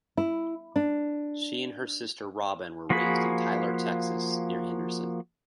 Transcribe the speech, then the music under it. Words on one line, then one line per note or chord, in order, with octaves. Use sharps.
She and her sister Robyn were raised in Tyler, Texas, near Henderson.
E4
D4
F3 A#3 F#4 G#4 B5